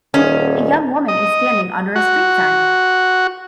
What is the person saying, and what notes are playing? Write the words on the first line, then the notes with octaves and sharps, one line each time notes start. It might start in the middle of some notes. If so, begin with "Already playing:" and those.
A young woman is standing under a street sign.
D#1 D#3 C#4 G#4
D#5
F#4